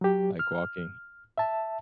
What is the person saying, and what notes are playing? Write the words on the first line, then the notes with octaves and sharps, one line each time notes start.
like walking.
F#3 G4
F6
E5 A5